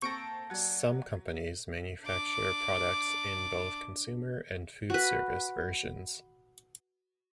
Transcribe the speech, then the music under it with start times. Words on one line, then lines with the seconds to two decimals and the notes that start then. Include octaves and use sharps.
Some companies manufacture products in both consumer and foodservice versions.
0.02 A#3 C4 A4 C#6 G6 A#6 D7
0.50 F#3 D5 F#5 G#6
2.03 D4 D6
4.90 F#4 B4